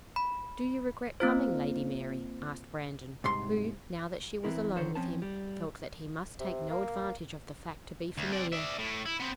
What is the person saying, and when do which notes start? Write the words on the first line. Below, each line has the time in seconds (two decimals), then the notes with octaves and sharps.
"Do you regret coming, Lady Mary?" asked Brandon, who, now that she was alone with him, felt that he must take no advantage of the fact to be familiar.
0.16 B5
1.20 A#3 C4 F4 C5
3.24 C2 G#2 C6
4.44 E3 C4 E4 A#4
4.76 D3 D#3 C5 C#5
4.95 F3 C4 C#4 A5
5.22 G3
6.40 C3
6.70 A#3
8.18 D2
8.32 C4 D5
8.52 D5 E5
8.78 A2
9.05 E4
9.20 B3 C4